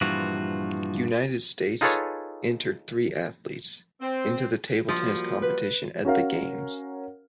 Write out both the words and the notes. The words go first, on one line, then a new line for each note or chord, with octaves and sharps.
United States entered three athletes into the table tennis competition at the games.
G2 A#2 E3 F3 F4 F#4
D#4 F4 G#4 A4 B4 C#5
C4
F3 G3 A#3 F#4
B4
C#4 F#4 A#4 F5